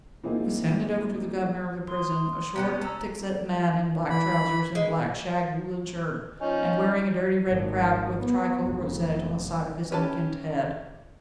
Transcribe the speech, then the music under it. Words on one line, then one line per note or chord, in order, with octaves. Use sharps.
She was handed over to the governor of the prison, a short, thick-set man in black trousers and black-shag woollen shirt, and wearing a dirty red cap, with tricolour rosette on the side of his unkempt head.
A#2 A#3 C4 D#4 E4 G#4
C6 D#6
C3 B3 C#4
C#4 A5 A#5 E6
E3 B5
G#3
F3 C#4 D#4
G#1
B3
F1
C#4 G4 B4 A5